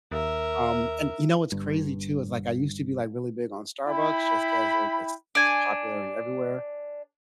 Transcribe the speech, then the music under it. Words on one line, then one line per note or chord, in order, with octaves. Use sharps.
um, and you know what's crazy too? Is, like, I used to be, like, really big on Starbucks just 'cause they're just just popular and everywhere,
D#2 A#4 E5
G1 G2
E4 G5 B5
D4 G#5